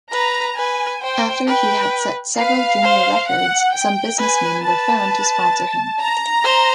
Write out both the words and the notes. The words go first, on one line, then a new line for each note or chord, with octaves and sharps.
After he had set several junior records, some businessmen were found to sponsor him.
B4 A#5
B4 G#5
C5 G5
B4 G5
B4 F5
C5
F#5
G5
B4 G#5
B4 A5
A#5
C5